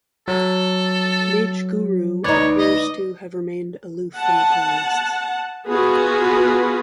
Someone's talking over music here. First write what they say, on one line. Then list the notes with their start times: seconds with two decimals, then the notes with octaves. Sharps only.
Midgegooroo appears to have remained aloof from the colonists.
0.28 F#3 A4
2.24 D2 D#4 B4 C#5 D5
2.58 D#5
4.15 F#5 A5
5.68 B3 F4 F#4 G#4 B4